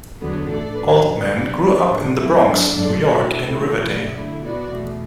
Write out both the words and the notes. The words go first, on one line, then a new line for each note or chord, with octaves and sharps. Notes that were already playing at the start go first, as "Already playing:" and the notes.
Altman grew up in the Bronx, New York, in Riverdale.
E2 D3 F#3 B3
A2 A3 D4 A4 D5
F#3 D4 B4
E2 D3 F#3
F#3 D4 B4 D5
F#3 D4 B4 D5
A2 E3 D4
F#3 B3 E4
F#3 D4 A4
F#2 F#3 D4 A4 D5
B2 A3 F#4 D5
B2 A3 E4 A4
E3 A3 F#4
B2 F#3 A3 E4 D5
D3 A3 E4
B2 B3 F#4 D5
E2 B2 A3